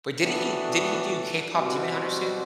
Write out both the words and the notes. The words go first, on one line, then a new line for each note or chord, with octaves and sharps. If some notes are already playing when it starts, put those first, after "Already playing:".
But didn't he didn't he do KPop Demon Hunters too?
A2 E3 B3 D4 F#4
B2 G3 C4 F#4